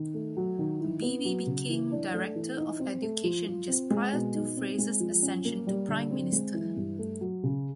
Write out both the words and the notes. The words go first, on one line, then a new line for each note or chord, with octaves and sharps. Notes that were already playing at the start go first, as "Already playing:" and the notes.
Beeby became Director of Education just prior to Fraser's ascension to Prime Minister.
Already playing: D#3
A3
F#3
D#3
E4
B3
F#3
C#3
E3
D4
A3
E3
D#4
C4
A3
F3
F4
C4
G#3
B2
D#4
C4
G#3
F3
C#4
A#3
G3
D3
C4
G#3
E3
G2
A3
F#3
C#3